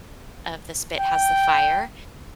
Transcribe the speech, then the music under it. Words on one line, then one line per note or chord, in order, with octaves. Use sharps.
of the spit has the fire,
G5